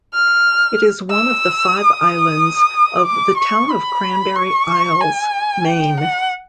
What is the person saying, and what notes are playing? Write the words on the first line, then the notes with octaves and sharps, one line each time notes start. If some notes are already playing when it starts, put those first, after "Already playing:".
It is one of the five islands of the Town of Cranberry Isles, Maine.
F6
E6
D#6
D6
C#6
B5
C#6
G#5
G5
F#5